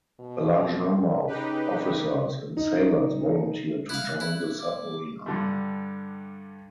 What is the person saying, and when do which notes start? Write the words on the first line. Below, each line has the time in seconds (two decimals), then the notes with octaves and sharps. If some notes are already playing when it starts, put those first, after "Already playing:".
A large number of officers and sailors volunteered to join the submarine arm.
0.20 B2
1.27 C#3 D#4 G4 B4
2.57 D#4
3.89 E4 F5 F#6
4.20 E4
4.60 D6
5.26 G2 D3 G3